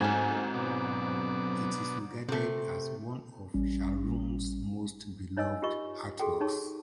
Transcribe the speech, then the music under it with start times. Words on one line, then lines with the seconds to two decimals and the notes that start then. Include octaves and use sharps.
It is regarded as one of Scharoun's most beloved artworks.
0.01 G#2 F#3 A3 C4 C#4 G#5
0.54 B2 D4
2.29 C3 A3
3.54 A1 G3 C#4
5.37 D#4 C#5 D#5 G#5 E6
5.62 F4 G4 A#4 D#5 C#6
6.19 F#4 G#4 A4 G5
6.40 D#4 G4 G#4 C#5 A5 C#6